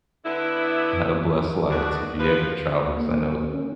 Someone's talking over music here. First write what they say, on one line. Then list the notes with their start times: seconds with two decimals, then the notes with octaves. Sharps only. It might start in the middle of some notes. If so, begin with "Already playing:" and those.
had a blessed life to be able to travel 'cause I know
0.25 D3 B3 E4
1.71 B2 A3 D4 F#4 G#4 A#4
2.19 F3 B4
2.97 A#3
3.53 C#4